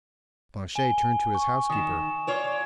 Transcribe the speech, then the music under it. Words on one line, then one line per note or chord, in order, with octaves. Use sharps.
Planchet turned to his housekeeper.
G#5 G7
C#6
D#3 D#6 E7
F4 C#5 D5